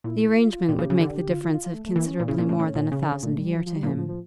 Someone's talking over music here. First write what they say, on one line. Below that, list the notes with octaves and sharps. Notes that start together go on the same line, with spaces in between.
The arrangement would make the difference of considerably more than a thousand a year to him.
A#2 E4
F4
F4
A#2 G4
C#3
C#3
D3
F4
F4
F4
F4
A3
A3
E3 A#3
C#4
A#2
C#3 E4
A#2
C#4
A2
A2 C#4
A#2
C#3
D3
C#3
A#2 A3
G3
F3
F3
G3
A#2
A2 F3
F3
F3